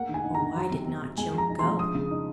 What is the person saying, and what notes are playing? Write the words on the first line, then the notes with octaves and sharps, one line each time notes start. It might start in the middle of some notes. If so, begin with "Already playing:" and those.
Or why did not Job go?
Already playing: A#3 F#5
D#3
G#5
D#4
A#5
D#3
F#3
C3
C4
C3
G#3 G#5
F3 A#5
D#4
F3 C6
G#3 D#6
C#3
D#4